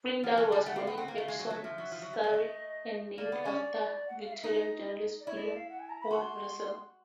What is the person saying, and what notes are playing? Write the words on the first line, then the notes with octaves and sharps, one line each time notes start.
Frindall was born in Epsom, Surrey and named after Victorian journalist William Howard Russell.
F3 F#5
G#5
F#3
A5
G3 G#5
A3 F#5
C4 F5
B3 G5
C4 F#5
A#3 F5
A3
G#3
F#3
F#3 E5
F3
F#3
F3
F#3
G3
G#3 D5
A3 D#5
A#3 D5
B3
C#4
F#5
F5
E5
D#4 D#5
D5
E4 C#5
D#5
D5
F5
F#5
G#5
A#5
B5
F#4 C6